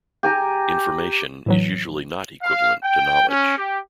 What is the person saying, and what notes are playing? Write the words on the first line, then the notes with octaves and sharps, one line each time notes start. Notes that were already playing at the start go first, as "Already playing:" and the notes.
"Information" is usually not equivalent to "knowledge".
G4 G#5 A#5
A2 E3 F#3
F5
G5
C#4
G4